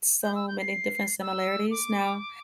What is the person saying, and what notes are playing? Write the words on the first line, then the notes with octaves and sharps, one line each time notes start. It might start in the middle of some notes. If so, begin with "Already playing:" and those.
so many different similarities now.
G6
E6
G6
C7
E6
D6